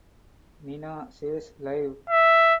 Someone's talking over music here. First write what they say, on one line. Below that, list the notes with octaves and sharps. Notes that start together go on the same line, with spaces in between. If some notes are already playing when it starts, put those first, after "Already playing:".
Nina says "Live".
E5